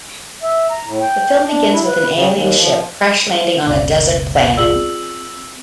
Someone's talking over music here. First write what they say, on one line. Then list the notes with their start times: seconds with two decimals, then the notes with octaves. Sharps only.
The film begins with an alien ship crash landing on a desert planet.
0.43 E5
0.71 A#5
0.85 A2
1.01 G5
1.46 D4
1.72 E4
1.86 B4
2.13 C#3
2.28 D#2
2.56 F3
3.67 F#1 C#2 B2 D5 D6
4.57 F4 G#4 D5 E6 F#7
4.76 C4